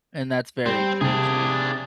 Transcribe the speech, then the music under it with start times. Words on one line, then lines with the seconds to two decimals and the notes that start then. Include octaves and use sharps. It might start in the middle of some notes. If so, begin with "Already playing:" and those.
And that's very true too.
0.66 G3 C4
1.01 C3 D4 G#4